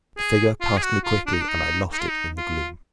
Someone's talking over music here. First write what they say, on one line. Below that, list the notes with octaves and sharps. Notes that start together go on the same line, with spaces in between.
The figure passed me quickly, and I lost it in the gloom.
G#4
F4
G#4
F#4
F4
D4
D#4
D4
D#4
D#4
F4
D#4
F4